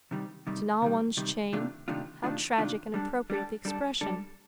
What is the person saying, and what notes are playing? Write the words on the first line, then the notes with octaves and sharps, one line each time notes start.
To gnaw one's chain--how tragic and appropriate the expression!
C3 D#3 G3
C3 D#3 G3
C3 D#3 G3
C3 D#3 G3
C3 D#3 A3 D4 F4
C3 D#3 A3 D4 F4
C3 D#3 A3 D4 F4
C3 D#3 A3 D4 F4
G3 D4 A4
G3 D4 A4
G3 D4 A4
G3 D4 A4